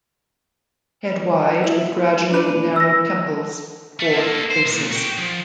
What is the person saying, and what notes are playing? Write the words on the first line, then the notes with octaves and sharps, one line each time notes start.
Head wide with gradually narrowed temples toward bases.
E4
D4 B4
E6 A#6
A3
A#3 A4
C5
C2 A#2
F#4 G5
F3